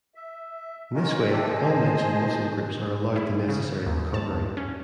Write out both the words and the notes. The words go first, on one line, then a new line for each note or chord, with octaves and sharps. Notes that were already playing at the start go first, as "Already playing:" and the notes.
In this way all mentioned muscle groups are allowed the necessary recovery.
E5
C#4 D#4 F4 F#4 A#4 D#5
A3 C4 D4 G4 A4 D5
G#4 C5 D#5 G#5 A5
E4
C#3
D#2
A5
E2
C#4